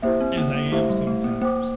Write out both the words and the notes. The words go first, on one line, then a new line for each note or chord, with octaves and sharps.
as I am sometimes.
A#3 E4 G4 C5 E5
C4
A#3
A#3
A3 E4 G4 C5 E5
G3
A3
A#3
A#3 C5 G5 D6